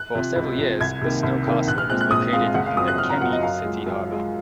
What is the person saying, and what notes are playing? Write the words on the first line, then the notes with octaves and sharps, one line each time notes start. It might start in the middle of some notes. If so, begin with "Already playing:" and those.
For several years the snowcastle was located in the Kemi city harbor.
Already playing: F#6
C3 F3
C#2
C3 F3
C2 G#6
C3 D#3 A#3
C2
C3 D#3 A#3
A#1 F#6
F6
A#2 G#3 C4 F#6
F#6
A#1 D#6
A#2 G#3 C4 F5
F#1 F#5
F5
F#2 F3 C4 D#6
F#6
F#1 F6
A#5
F#2 F3 C4 F#5
D#5
F#2 F5
F3 G#3
F#2
F3 G#3